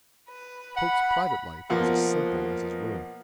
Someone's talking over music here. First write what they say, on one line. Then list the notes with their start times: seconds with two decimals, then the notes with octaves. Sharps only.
The Pope's private life was as simple as His room.
0.29 B4
0.77 F#5 B5
1.70 B2 F3 A#3 F#5